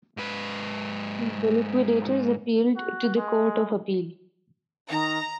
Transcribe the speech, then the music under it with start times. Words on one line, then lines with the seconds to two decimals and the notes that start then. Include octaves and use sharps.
The liquidators appealed to the Court of Appeal.
0.17 G#2 B4
2.76 F#4
3.16 G#3
4.89 D#3 A#5